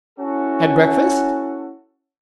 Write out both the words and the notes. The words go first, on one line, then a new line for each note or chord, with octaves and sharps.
"Had breakfast?"
C#4 E4 F#4 A4